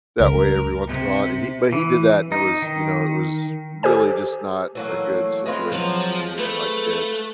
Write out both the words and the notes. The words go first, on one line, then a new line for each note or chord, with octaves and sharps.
that way every once in while, but he but he did that, and it was you know, it was really just not a good situation for me and my kid.
C#2 A#4
C3
E3
D#4
D#3
G4 A4 C5 G#5
E3 F#3 A3 A#3
G#3 C4 F4 B4
F3 F#3
A3 B4